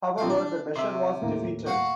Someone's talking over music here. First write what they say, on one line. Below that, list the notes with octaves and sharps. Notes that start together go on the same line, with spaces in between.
However, the measure was defeated.
A#1 C4 F5
D4
C3 E5 C6
D#2 A2 A#3
F#4 F5 F#5